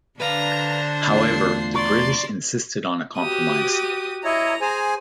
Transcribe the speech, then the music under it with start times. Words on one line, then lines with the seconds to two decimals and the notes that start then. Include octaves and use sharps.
However, the British insisted on a compromise.
0.20 D3 D4 B4 C5 F5 A#5
1.09 E2 A3 F4 C7
1.75 D5 A#5 C6 C#6
3.18 F#4 G4 D#6
4.24 E4 C#5 D#5 A#5
4.61 G#4 C5 G#5